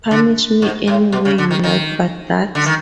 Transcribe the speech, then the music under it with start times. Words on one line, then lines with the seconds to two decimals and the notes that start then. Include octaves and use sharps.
Punish me any way you like but that.
0.11 D3
0.62 G#2
0.87 A2
1.12 B2
1.25 C#3
1.38 D3
1.51 D#3
1.64 D#3
2.55 D3
2.66 D#3